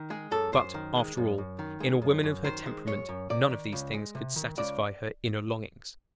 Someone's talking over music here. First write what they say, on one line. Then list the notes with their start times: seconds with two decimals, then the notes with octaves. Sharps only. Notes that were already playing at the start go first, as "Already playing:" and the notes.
But, after all, in a woman of her temperament none of these things could satisfy her inner longings.
Already playing: D#3
0.10 G#3 G#4
0.31 F#2 A4
0.53 F#2 C5
0.74 D#3
0.95 G#3
1.17 F#2
1.38 F#2
1.59 D#3
1.80 G#3
2.02 F#2
2.23 F#2
2.44 D#3 C5
2.66 G#3
2.87 F#2 C#5
3.09 F#2
3.30 C3 D5
3.51 D#3
3.72 C#2
3.94 G#3
4.15 C3
4.36 D#3
4.57 C#2 D5